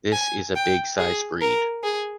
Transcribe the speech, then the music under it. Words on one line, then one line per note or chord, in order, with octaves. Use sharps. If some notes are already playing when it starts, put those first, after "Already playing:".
This is a big size breed.
G#5
G5
G#4
A#4
G#4